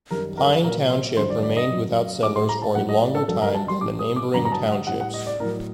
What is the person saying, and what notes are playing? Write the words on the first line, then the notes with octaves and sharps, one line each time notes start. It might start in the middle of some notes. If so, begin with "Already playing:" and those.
Pine Township remained without settlers for a longer time than the neighboring townships.
F#2 D#3 G3 A#4
A#4
A#2 F#3 A#4
C5
G2 D#3 F#3 C5
D5
D5
D#5
F#2 F#3
A2 G3 D6
C6
A#5
A5
A2 F#3 F#5
D#5
D5
A4
G2 F#3 A4
A#4
A5
C6
A2 G3 D6
D#6
D6
G2 D3 F#3 A#5
A#5
A5
F#5
A2 G3 F#5
F#5
D#5
D5
A2 F#3 A#4